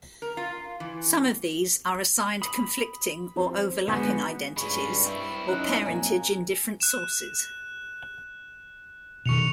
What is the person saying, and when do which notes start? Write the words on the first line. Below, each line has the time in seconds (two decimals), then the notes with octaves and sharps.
Some of these are assigned conflicting or overlapping identities or parentage in different sources.
0.22 A#4
0.37 F4
0.80 E3
2.42 B5 D#6
3.36 F3 C4
3.88 D3 G#3 B3 F#4 B4 G#5 G6
4.56 G2 G#3 C#4 B5 C#6
5.05 C4 E4
5.49 F#2 C#4 D#4 F#6
5.86 F#2 A#2 A#3 C4 G#5 A#5
6.80 F#6 E7
9.26 B2 D#3 C#6 C#7 F7